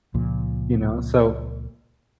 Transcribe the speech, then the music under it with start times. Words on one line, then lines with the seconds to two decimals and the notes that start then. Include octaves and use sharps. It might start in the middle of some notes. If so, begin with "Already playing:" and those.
You know? So
0.14 C#2 A#2 F3